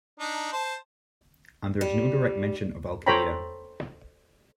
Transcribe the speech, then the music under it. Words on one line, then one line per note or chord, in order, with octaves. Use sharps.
And there is no direct mention of Al-Qaeda.
D4 D#4
C5 A5
G3
A4 C5 C#5 G5 A#5 B5